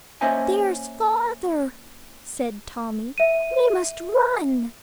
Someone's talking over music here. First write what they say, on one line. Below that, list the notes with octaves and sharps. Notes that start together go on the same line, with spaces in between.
"There's father," said Tommy; "we must run."
A#3 C#4 C5 D#5 E5 G#5
E5 D#7